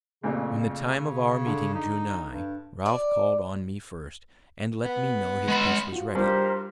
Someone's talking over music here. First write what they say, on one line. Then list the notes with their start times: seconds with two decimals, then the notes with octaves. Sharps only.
When the time of our meeting drew nigh, Ralph called on me first, and let me know his piece was ready.
0.23 A1 F2 A#2 C#3
1.46 D3
1.74 D#4
2.31 G2
2.86 D5
4.84 B3
5.48 G#3 B5
5.93 F4 F#4
6.15 G2 G3 F4 G4 A#4 C5